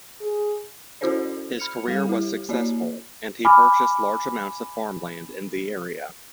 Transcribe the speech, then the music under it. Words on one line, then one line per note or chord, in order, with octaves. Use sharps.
His career was successful, and he purchased large amounts of farmland in the area.
G#4
C#4 E4 F#4 A4 C5 D5
B5 F6 C#7 F7
G3 A4 F5
E4 G4
A#3 E4 F#4 C#5 D5
G#5 B5 D6 F6